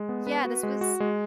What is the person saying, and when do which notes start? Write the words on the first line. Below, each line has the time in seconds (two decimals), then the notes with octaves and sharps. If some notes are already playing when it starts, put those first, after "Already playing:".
Yeah, this was
Already playing: G#3
0.09 B3
0.27 B4
0.44 F#4
0.63 G#3
0.81 F#4
1.00 G#3